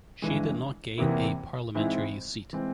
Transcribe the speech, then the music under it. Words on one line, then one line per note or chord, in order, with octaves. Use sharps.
She did not gain a parliamentary seat.
G2 E3 G#3
E2 C3 E3 A#3 E4
G#2 E3 G#3 C4 E4
E3 G#3 C4